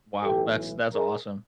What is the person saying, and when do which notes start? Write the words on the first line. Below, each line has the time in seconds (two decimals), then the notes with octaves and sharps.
Wow. That's that's awesome.
0.24 B1 A2 E3 G4 A4
0.94 G#4 A#4